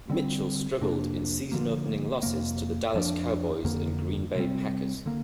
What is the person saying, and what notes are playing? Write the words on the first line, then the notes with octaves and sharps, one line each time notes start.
Mitchell struggled in season-opening losses to the Dallas Cowboys and Green Bay Packers.
D3 G3 C4
F2 C3 A#3 D4
D3 F3 A#3
F2 C3 A#3
F2 F3 D4
F2 D3 A#3
C3 G3 C4
D3 A#3